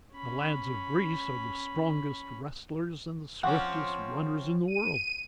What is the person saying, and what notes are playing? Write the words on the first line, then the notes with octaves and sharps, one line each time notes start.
The lads of Greece are the strongest wrestlers and the swiftest runners in the world!'
C#4 B5
F3 C4 C#4 F#5 C#6 D6
D#7